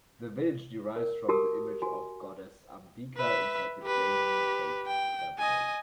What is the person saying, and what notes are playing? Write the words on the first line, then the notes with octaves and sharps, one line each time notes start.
The village derives from the image of Goddess Ambika inside the Jain cave temple.
A#4
F#4 G4 A#4 A5 D#6
F#4 G#5
B4 E5
G4 B4
G5
D#5 G#5